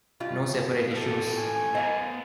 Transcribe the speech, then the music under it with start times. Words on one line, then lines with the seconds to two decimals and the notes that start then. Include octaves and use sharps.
No separate issues.
0.20 B2 G3 F4
0.91 E4 G4 A4 F5
1.36 G#5
1.75 B3 C5 D#5 F5